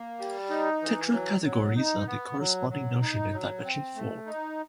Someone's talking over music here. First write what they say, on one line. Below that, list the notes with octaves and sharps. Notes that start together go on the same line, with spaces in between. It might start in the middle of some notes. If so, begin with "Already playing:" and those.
Tetracategories are the corresponding notion in dimension four.
Already playing: A#3
G3
D#4
E3
F#3
F#3
D#4
B3
F#3
F#3
D#4
F#3
C4
A3
D#4